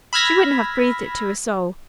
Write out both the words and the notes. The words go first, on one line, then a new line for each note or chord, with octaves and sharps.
She wouldn't have breathed it to a soul.
B5 E6 F6 G#6 A#6 B6